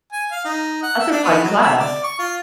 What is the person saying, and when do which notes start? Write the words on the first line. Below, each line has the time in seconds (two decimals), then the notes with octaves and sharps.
That's a fun class.
0.12 G#5
0.31 F5
0.45 D#4
0.83 F#5
0.99 E5
1.11 D4
1.24 B3
1.43 F#3
1.62 E5
1.80 D5
2.04 C#6
2.19 F4